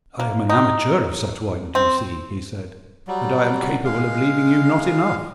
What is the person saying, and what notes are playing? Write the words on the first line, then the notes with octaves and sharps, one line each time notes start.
"I am an amateur of such wine, do you see?" he said, "and I am capable of leaving you not enough."
A#3
D#4
C4
F#3 G3
G#3 F5